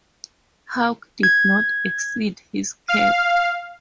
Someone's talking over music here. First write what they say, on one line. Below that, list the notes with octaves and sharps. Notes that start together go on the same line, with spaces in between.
Hawke did not exceed his cap.
G#6
F5